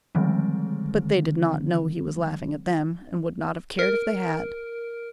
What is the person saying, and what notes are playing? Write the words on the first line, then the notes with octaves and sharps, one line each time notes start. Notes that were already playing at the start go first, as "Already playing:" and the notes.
But they did not know he was laughing at them and would not have cared if they had.
D3 D#3 F3 G3 G#3 C4
A#4